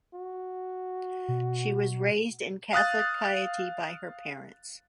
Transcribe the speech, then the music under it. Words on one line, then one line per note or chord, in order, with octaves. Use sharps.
She was raised in Catholic piety by her parents.
F#4
B2
F5 D#6 F#6 A6